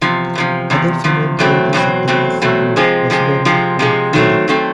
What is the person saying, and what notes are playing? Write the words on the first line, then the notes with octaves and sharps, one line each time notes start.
Other female Bodhisattvas include Vasudhara and Cundi.
E2 C3 F3
E2 C3 F3
E2 C3 F3
E2 C3 F3
E2 B2 F#3 A3 C4
E2 B2 F#3 A3 C4
E2 B2 F#3 A3 C4
E2 B2 F#3 A3 C4
C3 F3 G#3 C4
C3 F3 G#3 C4
C3 F3 G#3 C4
C3 F3 G#3 C4
D#3 F#3 A3 C4
D#3 F#3 A3 C4